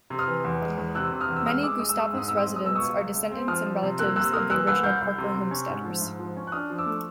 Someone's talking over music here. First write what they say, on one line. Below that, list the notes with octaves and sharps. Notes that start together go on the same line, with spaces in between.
Many Gustavus residents are descendants and relatives of the original Parker homesteaders.
C3
D#6 F6
E3
E2
G#3
E2
C3 E6 F#6
C3
D#6 F6
E2
E6
G#3 D#6 F6
G#3 D6 E6
G#3 D#6
E6
G#3 D#6
E6
G#2 D#6
C4 E6
D#6
G#3 E6
D#6
B2 E6
C#6 D#6
C#2
C#2
G#3
C4
F3 D#6 F6
F3
C3
A#3 E6 F#6
C3 E6 F#6
A#3 D#6 F6
E3 E6 F#6
C2 E6 F#6
C2 F6 G6
C2
C3
C3
C#4
G#2
F3
G#2
F3
C#4
F#6
D4 D#6 F6
F3
D6 E6
A3